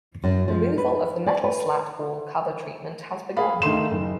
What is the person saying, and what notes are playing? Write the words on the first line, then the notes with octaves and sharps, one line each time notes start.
Removal of the metal slat wall cover treatment has begun.
F#2
F3
B4
D5
B4
G#4 F5 B5
D#2 D#3 A3 C6 E7
F#1